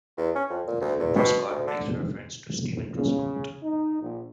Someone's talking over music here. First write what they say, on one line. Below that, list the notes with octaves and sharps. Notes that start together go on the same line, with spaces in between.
"Truscott" makes reference to Steven Truscott.
E2
C#4
F2
A#2
D2
E2
B2
D2
D3
C#3
D#4
A#1